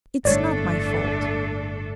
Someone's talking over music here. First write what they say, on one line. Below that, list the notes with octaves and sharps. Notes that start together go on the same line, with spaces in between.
It's not my fault.
G1 A2 A3 D4 A4 C#5 D5